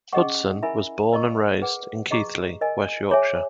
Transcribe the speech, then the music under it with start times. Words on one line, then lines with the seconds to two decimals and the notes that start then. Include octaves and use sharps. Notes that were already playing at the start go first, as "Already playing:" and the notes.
Hudson was born and raised in Keighley, West Yorkshire.
0.13 C#4 G#4 D#5 F#5 C#6
0.63 E4 A#4 E5 G#5 B5
1.12 A#4 D#5 A#5 C#6
1.62 G#4 B4 F#5
2.11 G#4 D#5 A#5 C#6
2.61 A#4 D#5 G#5
3.11 G#4 C#5 E5 G#5